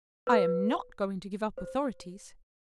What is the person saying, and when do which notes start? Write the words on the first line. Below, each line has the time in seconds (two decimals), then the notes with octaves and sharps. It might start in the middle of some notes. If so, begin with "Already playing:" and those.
I am not going to give up authorities.
0.27 B4
1.58 C5